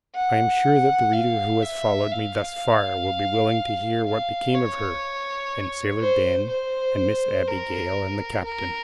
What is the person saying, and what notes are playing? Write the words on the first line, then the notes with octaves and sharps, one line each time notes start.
I am sure that the reader who has followed me thus far will be willing to hear what became of her, and Sailor Ben and Miss Abigail and the Captain.
F#5
F5
E5
F5
F5
C#5
C5
C5
A#4
A#4